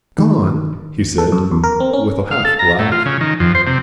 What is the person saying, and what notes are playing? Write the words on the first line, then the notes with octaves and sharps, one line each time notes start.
"Gone!" he said with a half laugh.
D#3
A4
F#2
E2
A#4
C4
C#4
F5
A4
A#5
A2
F4
C#3
D#3
F2
C5
C3